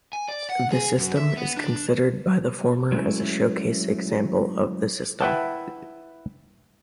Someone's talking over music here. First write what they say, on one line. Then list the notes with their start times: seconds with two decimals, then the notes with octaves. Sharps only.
The system is considered by the former as a showcase example of the system.
0.13 G#5
0.28 D5
0.50 F#5
0.72 G#4
0.98 F#2
1.17 E5
1.37 B3
1.57 D4
2.92 F#3 G#3 A3 C#4 E4
5.20 E4 B4 E5 F#5 G5 A5